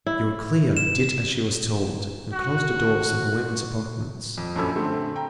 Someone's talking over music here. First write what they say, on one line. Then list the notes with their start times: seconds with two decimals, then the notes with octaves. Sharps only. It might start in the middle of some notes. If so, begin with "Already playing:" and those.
Euryclea did as she was told and closed the doors of the women's apartments.
0.07 E4
0.77 E7
2.33 F#4
4.38 F2
4.56 A#1 F#2 C#4 A4 B5 E6
4.75 D3 A3 C4
5.16 G5 A#5